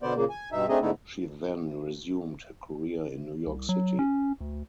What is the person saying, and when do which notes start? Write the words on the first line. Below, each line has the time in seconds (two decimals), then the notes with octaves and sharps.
She then resumed her career in New York City.
0.02 B2 D3 B3 C5 D5
0.16 A#2 C#3 A#3
0.30 G#5
0.52 G2 B2 D#4 E5
0.69 A3 C4 D4 D#4 G#4 D#5
0.82 G#2 D3 A3 B3 D#4 E4
3.47 C2
3.69 F#3
3.99 C#4
4.41 D2